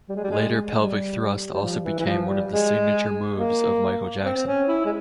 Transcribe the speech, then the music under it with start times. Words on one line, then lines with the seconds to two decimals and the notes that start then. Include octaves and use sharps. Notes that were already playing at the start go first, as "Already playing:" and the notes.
Later pelvic thrust also became one of the signature moves of Michael Jackson.
0.09 G3
0.16 G#3
0.24 G3
0.31 G#3
0.52 G#3
0.74 G3
1.53 G3
1.62 F3
1.84 E3
1.99 E3
2.05 F3
2.27 G3
2.49 G#3
3.38 A#3
4.24 C4
4.37 C4
4.47 C#4
4.68 E4
4.85 G#3